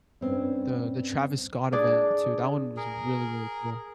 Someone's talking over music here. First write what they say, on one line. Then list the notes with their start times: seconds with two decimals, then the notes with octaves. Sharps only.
the the Travis Scott event too, that one was really, really cool.
0.21 G2 C4 C#4
1.72 D4 G#4 D5
2.77 G#4 A#4